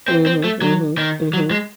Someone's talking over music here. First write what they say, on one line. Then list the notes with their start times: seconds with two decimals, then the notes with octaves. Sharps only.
Mhm, mhm, mhm.
0.08 C4
0.26 C4
0.44 A3
0.62 F#3
0.98 D#3
1.33 F#3
1.51 G#3